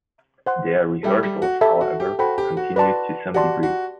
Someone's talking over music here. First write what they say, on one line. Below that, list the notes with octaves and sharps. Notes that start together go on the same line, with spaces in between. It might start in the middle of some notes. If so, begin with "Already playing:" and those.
Their rehearsals, however, continued to some degree.
C5 F#5 C6
G3 A4 E5 G5
G3
F#4
G4 A4 E5 A5
F#4
G4
F#4 A4 C5 G5 B5
G4
F#4
F#4 B4 D5 A5 C6
F#4 G4 D5 A5 C6
F#4